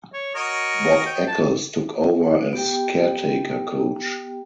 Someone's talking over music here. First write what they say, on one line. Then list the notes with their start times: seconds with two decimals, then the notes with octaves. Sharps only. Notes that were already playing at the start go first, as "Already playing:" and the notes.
Bob Eccles took over as caretaker coach.
0.14 C#5
0.35 F#4 A#4 C#5 D#5
1.06 G5
1.27 A5
2.53 B3 G4 G5